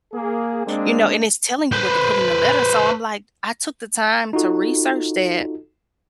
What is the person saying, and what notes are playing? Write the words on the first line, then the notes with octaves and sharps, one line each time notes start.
You know, and it's telling you what to put in the letter, so, I'm like I took the time to research that,
A#3 G#4
G#3 A#3 C4 D4
B4 C5
D#4 F4 F#4 A4